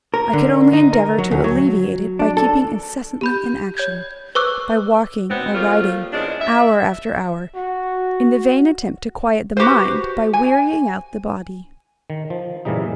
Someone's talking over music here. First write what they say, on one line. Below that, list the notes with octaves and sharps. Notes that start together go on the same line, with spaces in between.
I could only endeavour to alleviate it by keeping incessantly in action; by walking or riding, hour after hour, in the vain attempt to quiet the mind by wearying out the body.
A#4
D3
D#4
A#4
F#3
D2
F#3
D4
A4
G4 B5 G6
C#5 G6 G#6
B4 C5 C#6 D6 E6 F#6
B2 F#3 B3 C4
F3 G3 A3 A#3 F4
E2 C#3 G#3 D4
E5
F#4
F#4 G4 B4 C5
G#5
D#3
F3
F#2 A#2 C#3 E3 G3 D#4